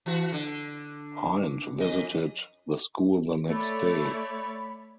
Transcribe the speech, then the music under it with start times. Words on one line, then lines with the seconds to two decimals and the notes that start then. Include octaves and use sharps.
Hind visited the school the next day.
0.06 E3 F#4
0.32 D3
1.81 F2 D#5
3.51 A3 C#5 D5 B5